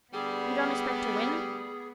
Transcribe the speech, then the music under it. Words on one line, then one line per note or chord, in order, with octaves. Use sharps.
"You don't expect to win?"
D3 G3 B3 G#4